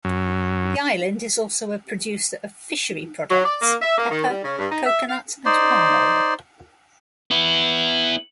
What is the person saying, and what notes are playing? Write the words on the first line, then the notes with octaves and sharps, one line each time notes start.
The island is also a producer of fishery products, pepper, coconut, and palm oil.
F#2
F#3
D5
A#3
E5
A#3
D#3
G3
C#3
G2
D#4
E5
F5
D#4 C5 D5
B3 E4